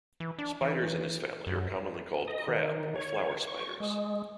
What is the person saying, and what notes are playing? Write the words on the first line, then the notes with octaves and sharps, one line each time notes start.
Spiders in this family are commonly called "crab" or "flower" spiders.
E3
D4
E3
F#2
D#5
D#3
C#5
C#6
G#3